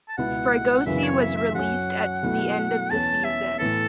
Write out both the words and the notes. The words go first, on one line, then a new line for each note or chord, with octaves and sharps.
Fregosi was released at the end of the season.
A5
C#2 B2 B3 E4 F#5
F#2 C#3 E3 B3 E5
C#5
E5
E5
F#2 F#3 C#4 F#5
B2 F#3 A3 E4
E2 E3 C#4 A5
E5
A2 E3 B3 A4